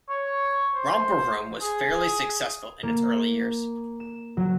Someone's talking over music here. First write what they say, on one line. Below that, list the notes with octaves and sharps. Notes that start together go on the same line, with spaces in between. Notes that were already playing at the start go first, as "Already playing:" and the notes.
"Romper Room" was fairly successful in its early years.
C#5
C5
G#4
A#3
E7
F#3